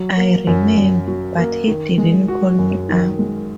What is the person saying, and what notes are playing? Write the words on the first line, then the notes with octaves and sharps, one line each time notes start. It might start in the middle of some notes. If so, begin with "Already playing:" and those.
I remember — but he didn't call me up.
Already playing: F#3
A#3
F#2
F#2
F#3
A#3
D#3
G#3
F#4
F#2
D#3
G#3